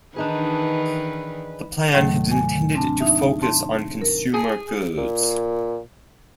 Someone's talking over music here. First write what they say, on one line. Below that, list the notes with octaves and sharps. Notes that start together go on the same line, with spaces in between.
The plan had intended to focus on consumer goods.
D#3 E3 D4 D#4 G#4 B4
D#2 A2 C3 D#3 F#3 A3
G#5
C4 D4 A5
D#4 E5
A5 C6
A#4
G#4
A#2